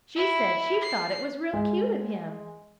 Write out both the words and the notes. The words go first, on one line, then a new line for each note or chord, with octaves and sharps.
She said she thought it was real cute of him.
E4
C7
G#3